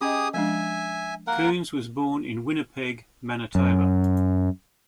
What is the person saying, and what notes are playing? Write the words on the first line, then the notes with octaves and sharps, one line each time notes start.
Coons was born in Winnipeg, Manitoba.
C#4 G4 G#4 D#5 D#6
F3 G#3 D4 E5 G#5
A#3 A#4 F#5
F#2